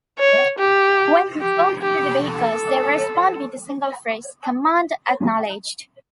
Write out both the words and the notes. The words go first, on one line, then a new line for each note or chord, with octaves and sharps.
When he talks to the vehicles, they respond with a single phrase, "Command Acknowledged".
C#5
G4
G4
G4
A4